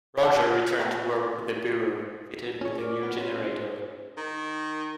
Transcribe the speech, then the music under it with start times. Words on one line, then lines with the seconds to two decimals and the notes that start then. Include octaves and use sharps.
Roger returned to work with the Bureau, fitted with a new generator.
0.23 F#5 A5
0.79 A3 B3 C4
2.61 C#4 G#4 C#5
2.78 A#4 D5
3.03 B3
3.17 C#4 F4
4.17 D#3